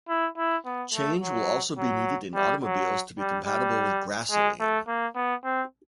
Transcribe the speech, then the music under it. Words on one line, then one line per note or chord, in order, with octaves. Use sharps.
Change will also be needed in automobiles to be compatible with grassoline.
E4
E4
B3
A3
F#3
F#3
G3
F#3
G3
G3
G#3
A3
A#3
B3
C4